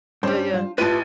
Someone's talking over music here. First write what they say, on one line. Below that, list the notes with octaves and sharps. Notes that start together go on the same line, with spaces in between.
Yeah, yeah.
G2 G3 C#4 D4 C5
F4
A1 E4 F4 G4 B4 A5 D#7